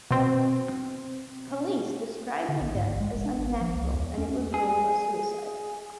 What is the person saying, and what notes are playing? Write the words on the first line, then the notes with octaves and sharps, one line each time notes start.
Police described the death as "unnatural" and it was ruled a suicide.
B2 C4
D3
A#1
G#2
A1
G#3
F1
D4
G#1
F3
C#2
E2
C#4
G#4